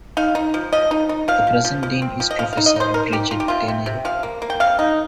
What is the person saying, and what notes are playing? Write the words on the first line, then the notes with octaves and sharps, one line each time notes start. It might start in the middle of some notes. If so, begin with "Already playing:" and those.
The present Dean is Professor Brigid Daniel.
D#4 F5
D#4
F3
F3 D#5
D#4
D#4
F3 F5
F3
F3
F3
C4
F3
D#5
F3 F5
F5
D#4
D#5
D#4 C5
D#4 A#4
D#4 G4
D#4 F4
G4
C3 F4
C3
C3
F3 F5
A#3
A#3
G5
C3 F5
D#4